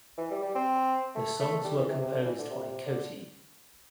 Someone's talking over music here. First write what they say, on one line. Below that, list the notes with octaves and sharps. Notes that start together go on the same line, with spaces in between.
The songs were composed by Koti.
E3
G3
G3
C4
A3
A3
G3
E3
C3
C3
D3
E3
D3
C3
C3
D3